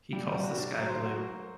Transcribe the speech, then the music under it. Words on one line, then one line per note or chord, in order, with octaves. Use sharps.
He calls the sky blue.
G3
G3
F#4
D4
F#3
C5
F#4
A#3